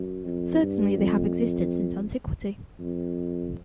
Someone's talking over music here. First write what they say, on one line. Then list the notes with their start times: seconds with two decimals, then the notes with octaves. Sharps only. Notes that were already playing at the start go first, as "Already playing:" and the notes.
Certainly they have existed since antiquity.
Already playing: F#2
0.24 F2
0.61 G2
0.97 F2
2.80 F2